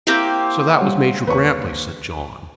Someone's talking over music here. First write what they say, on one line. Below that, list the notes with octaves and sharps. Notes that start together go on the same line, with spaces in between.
"So that was Major Grantly?" said John.
A#3 C4 E4 G4
G3 C#5 F#5
D#2 B4 C#5 C#6